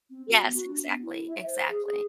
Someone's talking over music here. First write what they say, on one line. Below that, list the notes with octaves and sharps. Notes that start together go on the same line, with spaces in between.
yes, exactly. Exactly.
C4
F#4
B3
F#4
D4
B3
E4
E5
C5
G#4
G#4